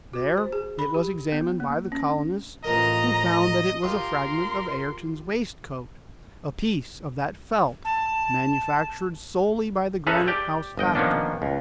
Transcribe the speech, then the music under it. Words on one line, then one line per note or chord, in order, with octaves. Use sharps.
There it was examined by the colonists, who found that it was a fragment of Ayrton's waistcoat, a piece of that felt, manufactured solely by the Granite House factory.
F#4
C5
G#4
B5
G4
B3
A#3
C#4
A1 F3 A#4 D#5 A#5
F4 G4 A#4 C6
A5
C#4 G#4 A4 B4 E5 A#5
G4 D5 G5
G1 D#5 G5
D#3 F3 A#3 B3 C#4 D4
C#2